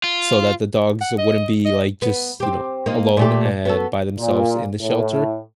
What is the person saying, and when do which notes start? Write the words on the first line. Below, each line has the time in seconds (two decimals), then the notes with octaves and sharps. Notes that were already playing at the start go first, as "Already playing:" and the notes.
so that the dogs wouldn't be, like, just, you know, alone and by themselves in the shelter,
0.04 F4
1.01 F#5
1.18 D#5
1.66 D#5
2.02 B3
2.40 C4 G4
2.86 A#3 D#4 F4
3.17 A#2 A3 G4
3.65 B3 F#4 A4
4.18 A#2
4.81 A2